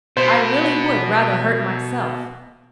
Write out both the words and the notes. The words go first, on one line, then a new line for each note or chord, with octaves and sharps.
I really would rather hurt myself.
B2 C5